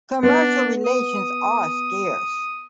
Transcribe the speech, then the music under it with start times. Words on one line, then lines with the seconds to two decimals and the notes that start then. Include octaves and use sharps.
Commercial relations are scarce.
0.23 B3 D4
0.86 D#6